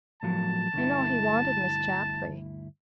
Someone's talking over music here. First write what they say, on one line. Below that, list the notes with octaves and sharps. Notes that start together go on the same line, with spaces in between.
You know he wanted Miss Chapley.
A2 F3 F#3 A5
D2 G2 E4